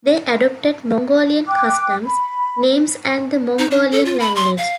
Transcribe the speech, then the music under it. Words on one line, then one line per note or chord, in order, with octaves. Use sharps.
They adopted Mongolian customs, names and the Mongolian language.
G5 D6 F#6
B5
D#4
D4
A4
F4
B5
C6
F5